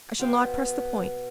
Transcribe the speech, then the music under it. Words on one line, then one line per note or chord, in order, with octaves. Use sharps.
I shall not press the point.
B2 C5 F5 G5